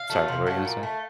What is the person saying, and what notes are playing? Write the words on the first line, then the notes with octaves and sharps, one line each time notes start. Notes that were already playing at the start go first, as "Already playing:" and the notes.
Sorry, what were you gonna say?
Already playing: F5
F#3 A3
C3
F#3 A3
A#2
A3